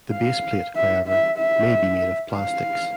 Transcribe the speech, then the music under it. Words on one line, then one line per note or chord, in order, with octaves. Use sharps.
The base plate, however, may be made of plastics.
F5
E5
E5
E5
F5